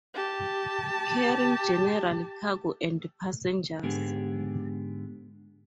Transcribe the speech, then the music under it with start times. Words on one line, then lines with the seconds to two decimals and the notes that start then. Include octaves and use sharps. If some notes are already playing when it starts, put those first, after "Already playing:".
Carrying general cargo and passengers.
0.14 G4 A5
3.83 G#2 D3 B3 G4 G#4